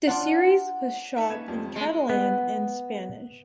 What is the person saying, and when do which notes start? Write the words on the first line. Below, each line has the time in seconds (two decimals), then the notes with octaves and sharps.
The series was shot in Catalan and Spanish.
0.07 D4 F4 F#5 A5
1.18 D#4 E5 F#5 A5
1.29 A#3 C#4 B4 G#6 E7
1.48 F2 F3 G3
1.76 G#3 A3
2.09 B3